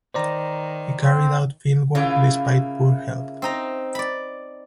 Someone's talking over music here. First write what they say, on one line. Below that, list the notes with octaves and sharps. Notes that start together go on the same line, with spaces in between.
He carried out field work despite poor health.
D#3 C5 D5 A#5
C4
C#3 A#3 E4 F4
C4 D#4 A#5
D5 B5